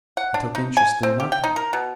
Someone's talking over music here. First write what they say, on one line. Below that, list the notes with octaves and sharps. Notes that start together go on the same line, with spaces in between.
I took interest in nothing.
F#5
D4
D#4
G#5
C4
G4
G5
D#4
A#4
B2